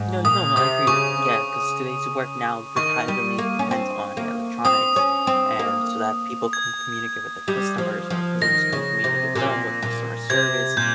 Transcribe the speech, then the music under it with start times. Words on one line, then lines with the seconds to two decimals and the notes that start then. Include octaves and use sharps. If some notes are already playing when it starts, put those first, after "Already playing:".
no no no, I agree. Yeah, 'cause today's work now will heavily depends on electronics and so that people can communicate with their customers or customers communicate with them with customer service
Already playing: G#2
0.25 A#2 D#6
0.56 C3 D#6
0.87 C#3 C#6
2.76 D#3 C#6
3.08 G3
3.38 A#3
3.59 C#4
3.71 C4
4.17 A#3
4.65 C4 D#6
4.96 C#4
5.27 C4
5.59 A#3
6.53 G#6
7.48 G3
7.78 F3
8.10 F3
8.41 D#3 A#6
8.72 C#3
9.04 C3
9.35 A#2
9.83 A#2
10.30 C3 G#6
10.77 A#2 G6